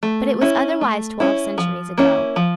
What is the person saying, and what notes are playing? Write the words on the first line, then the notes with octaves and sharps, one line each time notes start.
But it was otherwise twelve centuries ago.
A3
C#4 E4
A3
C#4 E4
F3
A#3 C#4 E4
F3